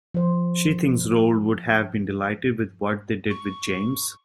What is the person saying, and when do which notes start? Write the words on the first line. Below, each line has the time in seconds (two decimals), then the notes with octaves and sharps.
She thinks Roald would have been delighted with what they did with James.
0.14 F3 C5
3.30 C#6